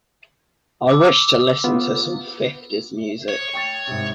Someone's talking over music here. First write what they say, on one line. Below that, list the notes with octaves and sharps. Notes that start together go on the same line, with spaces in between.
I wish to listen to some fifties music.
D6 E6
B3 F4
C#5
G5 C#6 A6
G#1 C3